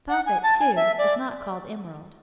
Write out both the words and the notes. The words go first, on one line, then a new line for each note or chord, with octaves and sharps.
The prophet, too, is not called Emerald.'
F#5
G#5
A5
G#5
E5
D5